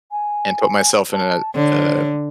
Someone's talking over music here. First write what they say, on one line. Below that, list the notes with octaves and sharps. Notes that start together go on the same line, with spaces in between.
and put myself in a, uh,
G#5
A5
D3 C#5